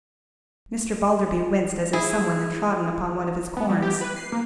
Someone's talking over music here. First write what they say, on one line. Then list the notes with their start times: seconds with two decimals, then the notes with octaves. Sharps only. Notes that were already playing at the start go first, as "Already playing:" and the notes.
Mr. Balderby winced as if some one had trodden upon one of his corns.
1.93 E4 G#4
3.57 B3
3.70 G3
3.82 G4
4.01 B4
4.16 C7
4.32 A#3